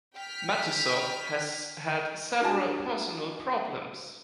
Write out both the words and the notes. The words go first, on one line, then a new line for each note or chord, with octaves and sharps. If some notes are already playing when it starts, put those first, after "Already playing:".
Matusow has had several personal problems.
G5 F6 B6
D4 F4 F#4 G#5 A5